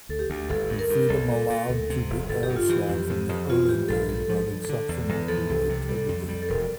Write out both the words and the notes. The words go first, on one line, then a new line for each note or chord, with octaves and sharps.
The freedom allowed to the airstaff in the early days bred exceptional creativity.
D2 A4
G4
D2
G1 A4
G2
A#4
G2
C2 A4
A#2
A#2
D2
C3
E1
G1 A4
G4
G2
F4
E3 G4
F2
F2
F2
E3 F4
A2 G4
A#1 A4
G2 A4
F3
G2
D3
E2
E2
F3 A4
C2
C3
G3
F2
G3
A4
E1 A#4